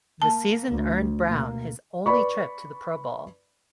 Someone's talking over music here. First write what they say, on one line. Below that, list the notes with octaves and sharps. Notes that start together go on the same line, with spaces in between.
The season earned Brown his only trip to the Pro Bowl.
A#3 A5
D2
B2 A#3
B4 D5 B5 C#6